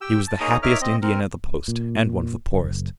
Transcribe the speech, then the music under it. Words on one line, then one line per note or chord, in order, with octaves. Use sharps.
He was the happiest Indian at the Post, and one of the poorest.
G4 G5 E6
A5
A#3 D#4 G#4 C#5 A#5 D#6
D#4 A#4 C#5 E5 D6 F6
C4 D#5
C4 A#4
A#2
F#1